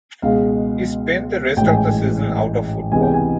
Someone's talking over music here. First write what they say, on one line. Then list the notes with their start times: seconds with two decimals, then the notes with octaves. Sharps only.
He spent the rest of the season out of football.
0.22 C#2 B2 G#3 F5
1.57 A1 G#2 E3 G5
1.67 G#5
1.77 G5
2.91 C#2 C3 E3 G#3 B3 G#5
3.03 G5
3.14 G#5